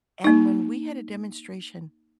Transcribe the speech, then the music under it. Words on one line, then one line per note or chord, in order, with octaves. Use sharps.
and when we had a demonstration,
A#3 D#4